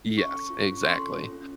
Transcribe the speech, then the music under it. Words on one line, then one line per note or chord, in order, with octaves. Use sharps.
Yes, exactly,
C#4 C#6
A4
F4
C#4
C#6
C#4 C6
A4
F4
C#4